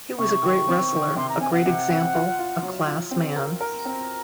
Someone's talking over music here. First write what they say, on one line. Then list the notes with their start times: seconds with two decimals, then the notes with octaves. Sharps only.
He was a great wrestler, a great example, a class man.
0.18 C3 C#6
0.43 D#3
0.68 C4
0.93 D#3
1.16 C3 C6
1.29 A#5
1.41 C4 G#5
1.53 F#5
1.66 C3
1.89 C4
2.14 F4
2.39 F4
2.63 F#3
2.87 F4
3.11 C4
3.36 A#4
3.60 A#4 A#5
3.85 C4